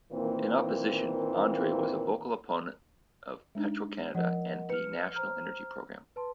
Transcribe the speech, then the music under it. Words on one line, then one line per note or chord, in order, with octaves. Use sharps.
In opposition, Andre was a vocal opponent of Petro-Canada and the National Energy Program.
A#2 D#3 E3 A#3 C4
G#3 D4 D#4
F3 A#4 D#5 F#5
B4 F6 C#7
C5 A#5 F6
B4 A5 C6